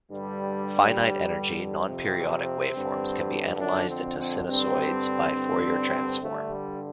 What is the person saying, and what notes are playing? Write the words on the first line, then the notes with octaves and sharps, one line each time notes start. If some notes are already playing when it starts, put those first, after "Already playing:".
Finite-energy non-periodic waveforms can be analyzed into sinusoids by the Fourier transform.
G2 D3 G3
G2 D3
F2 C3 C4
G2 D3
F2 D3 D4
C4
C4
G2 D3 C4
G2 D3
G2 D3 A3
G3